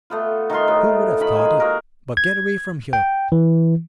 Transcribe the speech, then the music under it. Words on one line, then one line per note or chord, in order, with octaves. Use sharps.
Who would have thought it? But get away from here!
A3 B3 F4
D#3 A3 F4 C6
A2 B3 G4
D#3 F4 B5
G#3 G#5
A#3 F#4 G#4 A#4
G#6
G5
E3